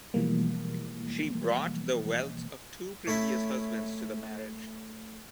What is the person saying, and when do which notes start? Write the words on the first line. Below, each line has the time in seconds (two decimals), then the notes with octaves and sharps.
She brought the wealth of two previous husbands to the marriage.
0.14 B2 E3 F3 G3 G#3 A#3
3.07 A3 C#4 E4 E5